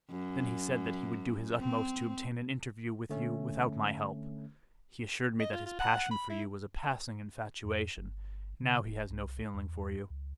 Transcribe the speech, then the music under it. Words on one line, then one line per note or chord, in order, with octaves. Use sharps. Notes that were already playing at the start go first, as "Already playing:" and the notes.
Then he said that he would do his utmost to obtain an interview with you without my help. He assured me that his passion for you was a passing infatuation, now he has no feeling for you.
F#2
C4
D3 A3 C#4
D#5
F4
F4
F#5
B5
E4
F2
G1
C#3
D#1
C2
E2
C#2